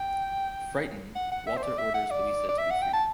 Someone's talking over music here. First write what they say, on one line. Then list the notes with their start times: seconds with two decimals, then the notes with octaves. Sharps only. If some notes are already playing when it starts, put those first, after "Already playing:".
Frightened, Walter orders Luisa to be freed.
Already playing: G5
1.15 F#5
1.31 F#5
1.47 E5
1.57 C5
1.63 D5
1.78 E5
1.94 F#5
2.11 D5
2.49 D5
2.58 E5
2.71 F#5
2.82 G5
2.94 A5